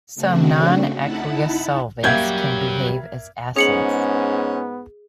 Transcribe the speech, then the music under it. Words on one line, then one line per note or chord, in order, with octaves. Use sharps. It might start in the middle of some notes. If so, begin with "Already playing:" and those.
Some non-aqueous solvents can behave as acids.
C#3 A3 C4 D4 F#4
D#4 E4 F#5 A5 B5
F#2 F#3 G3 A#3 E5 F5 G6 G#6
G#2 B3 C#4 G#4 C#7 F#7